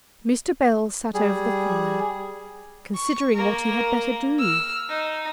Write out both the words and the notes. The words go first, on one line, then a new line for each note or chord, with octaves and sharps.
Mr. Bell sate over the fire, considering what he had better do.
G3 G#4
C#6
A#3 A#4
E6 F6
D#4